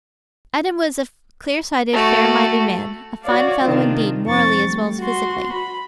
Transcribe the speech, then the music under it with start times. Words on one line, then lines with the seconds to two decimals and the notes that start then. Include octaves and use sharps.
Adam was a clear-sighted, fair-minded man--a fine fellow, indeed, morally as well as physically.
1.93 A3 F#4
3.23 F#4 C#5 D5 F5
3.62 C3 D#3 D4 F4
4.25 F2 C4 C#6 A6
4.67 G3 A3
5.00 F#4 C6
5.53 B5